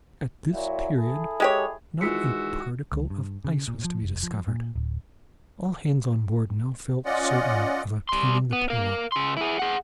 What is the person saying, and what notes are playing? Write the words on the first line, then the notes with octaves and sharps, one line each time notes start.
At this period not a particle of ice was to be discovered. All hands on board now felt certain of attaining the pole.
A#2 F#3 E4
E4 G#4 A4
G#3 G4 C#5
D#3 E3 G#3 F4 F#4 E5 B6 C#7
C#2
G2
C#3
A#2
F3
F1
F3
A#2
D1
C#4 F4 D5 D#5 F#5
G3 C6
B3
A#4 F5
C#3 C6
E4 G#4
G#4 F#5